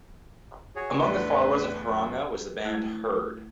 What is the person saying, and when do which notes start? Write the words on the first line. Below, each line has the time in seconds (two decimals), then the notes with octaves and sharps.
Among the followers of Haranga was the band Hurd.
0.76 F#4 G#4 C#5
1.01 E2 A2 D3 B4
1.88 F#2
2.65 A3 E4 F#6